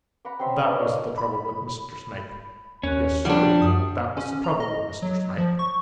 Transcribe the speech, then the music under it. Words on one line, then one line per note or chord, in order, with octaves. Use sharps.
That was the trouble with Mr. Snake. Yes, Sir, that was the trouble with Mr. Snake.
F#5 A#5 B5 D6
C4 C#4 C5 E5
D4 B4 D#5
A#3 C#5
B5
D#2 C#4 C#5 F#6
F3 G3 D4 F#4
F#2 D#6
C#4
A#5
D#5
F#3
F3
C#6